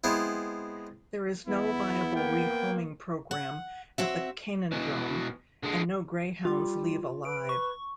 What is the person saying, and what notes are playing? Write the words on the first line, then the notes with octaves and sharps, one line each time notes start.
There is no viable rehoming program at the Canidrome, and no greyhounds leave alive.
G#3 B3 C4 E4
E2 B3 E4
A#3 G5
F#5
C4 F#4 E5
B2 E3
D3 G#3
G3 F4
B4 D7
C#6